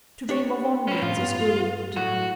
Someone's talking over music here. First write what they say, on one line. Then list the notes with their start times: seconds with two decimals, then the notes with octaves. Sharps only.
To dream of onions is good.
0.29 D4 G4 C#5
0.88 C#4 B4
1.02 A2 F4
1.17 G2 B3
1.97 A2 F#3 A3 F#4